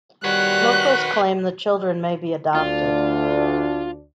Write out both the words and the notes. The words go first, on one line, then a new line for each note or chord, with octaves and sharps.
Locals claim the children may be adopted.
D#3 G3 F#4 B4 C#5 F#5 F#6
D2 D4 F4 D5